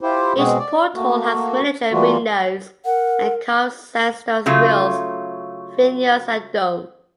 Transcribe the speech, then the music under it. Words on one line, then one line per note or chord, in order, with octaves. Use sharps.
Each porthole has miniature windows and carved sandstone grills, finials and domes.
E4 F4 G4 C5
B2 G#3 C4 F#4 G#4
D5
A3 A#3 F#4
E3 G3 A3 A#3 F4 F#4
A#4 F#5
C#3 F#3 A3 F4